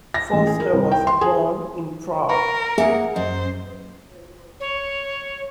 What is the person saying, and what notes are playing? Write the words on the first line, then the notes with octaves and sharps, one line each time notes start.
Foerster was born in Prague.
A#6
A1
G#4
A#4
C2
G5
C6
G#4
A#4 B4 A#5 C#6
A#3 G#4 E5 F#5
F#2 C5 D#5
C#5